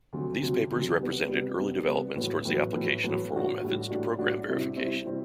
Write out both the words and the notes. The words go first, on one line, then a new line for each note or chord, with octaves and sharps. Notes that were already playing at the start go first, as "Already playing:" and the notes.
These papers represented early developments towards the application of formal methods to program verification.
D2 C3 F#3
D2 C3 F#3
D2 C3 F#3
C3 G3 B3
C3 G3 B3
C3 G3 B3
C3 G3 B3
A2 F#3 B3
A2 F#3 B3
A2 F#3 B3
A2 F#3 B3
A2 G3 D4 F#4
A2 G3 D4 F#4
A2 G3 D4 F#4
A2 G3 D4 F#4
C3 G3 C4 E4
C3 G3 C4 E4
C3 G3 C4 E4